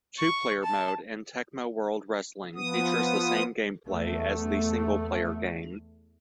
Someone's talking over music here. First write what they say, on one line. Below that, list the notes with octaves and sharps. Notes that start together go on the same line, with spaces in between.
Two-player mode in "Tecmo World Wrestling" features the same gameplay as the single-player game.
C#6
A5
F3 B3 D#6
E2 A3